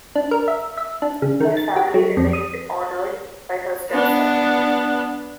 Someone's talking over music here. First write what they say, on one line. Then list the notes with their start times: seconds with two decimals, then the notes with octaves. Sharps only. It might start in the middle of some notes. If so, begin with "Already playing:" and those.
Her family remained honored by her stepson.
0.16 D4
0.31 A#4
0.48 E5
0.77 E5
1.02 D4
1.22 C#3
1.40 D#3
1.57 A6
1.76 G4
1.94 F#3
2.17 F2
2.33 D#6
3.90 B3 D4